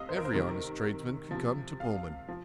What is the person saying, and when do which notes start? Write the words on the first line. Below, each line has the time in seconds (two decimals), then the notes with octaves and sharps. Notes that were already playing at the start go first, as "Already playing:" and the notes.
Every honest tradesman can come to Pullman.
Already playing: C3 D#5 F5
0.09 C5
0.17 A#4
0.25 C5
0.33 C3 D#3 A#4
1.31 C3 F3
1.80 F5
2.28 F3